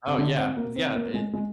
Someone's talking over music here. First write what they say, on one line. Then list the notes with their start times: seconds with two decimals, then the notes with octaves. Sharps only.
Oh, yeah, is yeah, i
0.07 C3
0.18 D3
0.37 C4
0.57 A#3
0.76 C4
0.95 A#3
1.14 G#3
1.33 G#3